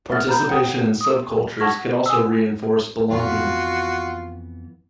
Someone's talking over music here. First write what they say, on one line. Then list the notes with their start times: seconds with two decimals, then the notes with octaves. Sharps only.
Participation in subcultures can also reinforce belonging.
0.11 E5 F#5 F6 A6
0.29 A#5 B5 G6
0.48 C#5 F#5 G5 D#6
1.01 D#6
1.58 F#5 A5 C#6 G#6 A#6 B6
2.06 G#5 D#6 E6
3.10 F2 E3 B3 F4 F#4